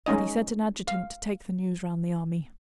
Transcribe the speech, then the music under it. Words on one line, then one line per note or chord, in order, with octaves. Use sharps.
But he sent an adjutant to take the news round the army.
G#3 C#4 D#4 D#5
F5